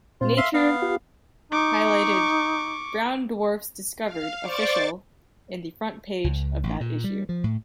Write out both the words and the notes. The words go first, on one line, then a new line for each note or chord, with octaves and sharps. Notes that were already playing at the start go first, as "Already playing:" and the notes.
"Nature" highlighted "Brown dwarfs discovered, official" in the front page of that issue.
A#2 C4 F4 C5
E5 F5 C6
B3 D4 F5
F4 G4
D#4 C#6 D6
F5
C5 D5 C#6 D6 A6
C#2
A1
A#2
G3
F3
A2